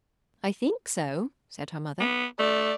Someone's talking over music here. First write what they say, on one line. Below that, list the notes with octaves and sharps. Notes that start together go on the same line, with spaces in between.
"I think so," said her mother.
B3
A3 D5